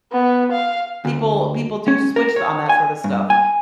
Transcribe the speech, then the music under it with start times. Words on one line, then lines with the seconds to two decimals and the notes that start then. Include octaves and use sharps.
people people do switch on that sorta stuff.
0.12 B3
0.52 F5
1.05 D2
1.88 C#4
2.16 A#4
2.36 C#5
2.69 G#5
3.04 G2
3.30 G#5